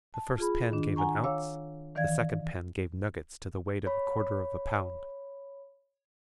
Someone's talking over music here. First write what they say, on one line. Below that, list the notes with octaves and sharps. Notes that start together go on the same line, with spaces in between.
The first pan gave an ounce; the second pan gave nuggets to the weight of a quarter of a pound.
A5
F4 G#4 B5
D#3 D4
F#5 G#5 A#5 C#6
C#5 F5 D6 E6
D#3 E3 D5 F5 G#6
C#5 B5